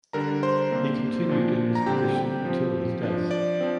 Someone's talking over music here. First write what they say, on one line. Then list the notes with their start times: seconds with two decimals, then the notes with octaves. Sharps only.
He continued in this position until his death.
0.13 D3 G3 D4 A#4 A#5
0.43 C5 C6
0.71 C3 A#3 D4
1.29 A#2 F3 D4
1.75 A#5
1.86 D3 G3 C4 G4 G5
2.16 G4 G5
2.45 F3 C4
3.03 F3 D4
3.31 D5
3.61 F3 C4